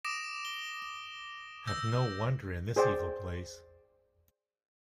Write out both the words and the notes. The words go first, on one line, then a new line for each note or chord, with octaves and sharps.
And no wonder in this evil place.
D6 D#6 A#6 D7 E7
G7
E6 G6 A#6
G#4 C5 D5 G5